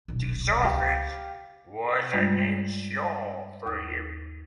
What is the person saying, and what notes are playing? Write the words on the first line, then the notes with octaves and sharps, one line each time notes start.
This office was name Shaw for him.
D#1 B1
C#2 D#4 G4 F5
G2 G3 G#3 D4 F4 D5
D#2 D6 D#6